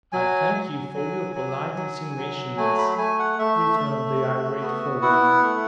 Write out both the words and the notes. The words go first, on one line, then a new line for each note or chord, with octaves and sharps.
"I thank you for your polite insinuations, miss," returned the irate forewoman.
F#3 G#5
F#3
F#3
F#3
F#3
F#3
A3 G#5
B5
A3 G#5
F#5
A3 E5
A3
F#4
B3
E4 F#5
A3